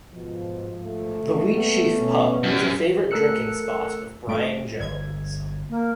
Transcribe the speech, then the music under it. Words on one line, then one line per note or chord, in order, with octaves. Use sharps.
The Wheatsheaf Pub was a favourite drinking spot of Brian Jones.
G#2 B2 F3
A3
G3 A#3 B3
B2 C#4
F#2 E3 G3
A3 A4 A#4 E6 F#6 C#7
G2 A3 D7
G1 G#6
A#3